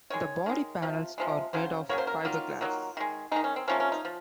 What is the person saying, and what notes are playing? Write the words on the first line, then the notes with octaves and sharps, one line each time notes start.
The body panels are made of fiberglass.
D#3 G#3 C#5
D#3 G#3
C3 F3
C3 F3 G#3
C#3 F#3 C5
C#3 F#3 A#3 C#5
C5
A#4
D#3 F#3 A#3 F4
D#3 F#3 A#3
D#3 G#3
D#3 G#3 D#4
C#4
C4
C3 F3 A#3 C#4
C#4
D#4
F3